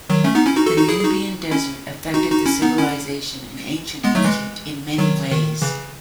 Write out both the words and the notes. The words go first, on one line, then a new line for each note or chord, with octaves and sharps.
The Nubian Desert affected the civilization in ancient Egypt in many ways.
D#3 F#3
A3 C#4
B3 D#4
C#4 E4
D#4 F#4
F#4 A4
D#4 F#4
E4 G#4
G#4
D#4 F#4
C#4 E4
D#4 F#4
D#4 F#4
C#4 E4
B3 D#4
C#4 E4
G#3 B3
F#3 A3
E3 G#3
D#3 F#3
D#3
C#3 E3